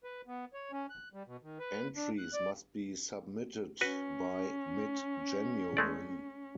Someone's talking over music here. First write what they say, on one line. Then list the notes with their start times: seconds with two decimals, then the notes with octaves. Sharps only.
Entries must be submitted by mid-January.
0.04 B4
0.27 B3
0.54 C#5
0.72 C#4
0.90 F#6
1.13 G3
1.27 B2
1.43 D#3
1.59 B4
1.96 D4
2.18 F#6
2.33 D5
3.81 C#4 F#4 B4
5.77 G#3 A3 D5